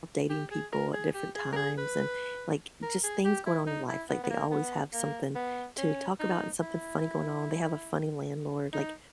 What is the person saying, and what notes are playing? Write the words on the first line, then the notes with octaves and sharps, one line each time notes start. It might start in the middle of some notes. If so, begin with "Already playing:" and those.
dating people at different times and, like, just things going on in life, like they always have something to talk about and something funny going on. They have a funny landlord. Like
G4
G#4
A#4
G#4
G4
G#4
A#4
G#4
B4
A#4
G#4
G4
E4
D#4
E4
B3
B3
A#3
B3
A#3
B3
C#4
D#4
E4
D#4